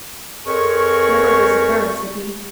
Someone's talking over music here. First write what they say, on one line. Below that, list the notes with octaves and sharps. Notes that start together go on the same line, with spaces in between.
"My berth is the third," said he.
F2 G#4 A#4 B4 C#5 C#6